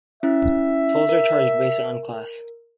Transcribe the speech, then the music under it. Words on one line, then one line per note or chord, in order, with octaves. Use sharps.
Tolls are charged based on class.
C#4 E4 E5
A#4